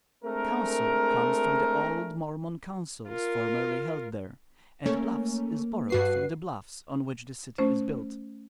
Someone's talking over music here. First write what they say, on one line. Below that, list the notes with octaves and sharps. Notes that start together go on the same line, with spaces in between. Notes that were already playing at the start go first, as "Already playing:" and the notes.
Council comes from the old Mormon councils formerly held there, and Bluffs is borrowed from the bluffs on which the city is built.
G#3 A3 C4 D4 G#4 A#4
F4 A#4
A3 A#3 C#4 A#4
G2 F#4 B4 C7
A3 C#4 C5